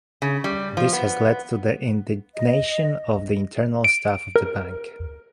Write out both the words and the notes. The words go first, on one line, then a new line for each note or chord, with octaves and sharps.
This has led to the indignation of the internal staff of the bank.
C#3
G3
F3
B3
D#5
D7
A#4